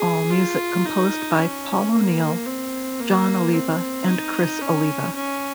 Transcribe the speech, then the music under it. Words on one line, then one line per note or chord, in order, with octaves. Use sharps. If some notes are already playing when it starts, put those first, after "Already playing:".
All music composed by Paul O'Neill, Jon Oliva and Criss Oliva.
Already playing: G#4
F4
D#4
C#4
A#3
C4
A#3
C4
D#4
C#4
C#4